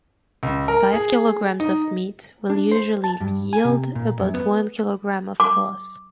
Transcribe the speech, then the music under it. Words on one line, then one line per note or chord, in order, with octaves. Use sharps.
Five kilograms of meat will usually yield about one kilogram of floss.
C#2
A#4
G#4
D#4
D4
C5
A5
G2
G#5
C3
A#2
F#2
B3
D6